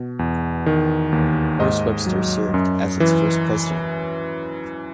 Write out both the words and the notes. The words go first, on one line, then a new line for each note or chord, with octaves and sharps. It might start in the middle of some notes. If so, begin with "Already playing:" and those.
Horace Webster served as its first president.
Already playing: B2
E2
D#3
D#2
G#2 D#5
F#3
F#2
E3